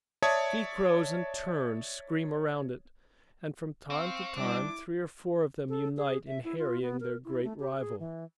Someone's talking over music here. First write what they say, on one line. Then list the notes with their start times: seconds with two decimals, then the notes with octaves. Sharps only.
Sea-crows and terns scream around it, and from time to time three or four of them unite in harrying their great rival.
0.23 C#5 D5 E5 A5 D#6 G#6
3.90 C4 F5 C#6
4.37 G3 D4 E4 D6
5.69 A4
5.97 G#4
6.27 E5
6.44 E4
6.59 F4
6.82 B3
7.00 A#4
7.25 E4
7.44 A3
7.60 G4
7.77 G#4
8.00 E3